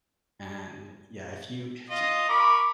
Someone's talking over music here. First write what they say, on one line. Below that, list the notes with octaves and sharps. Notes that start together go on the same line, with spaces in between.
and, yeah, if you y
F4 D#5
A#4 B5 C#6 D6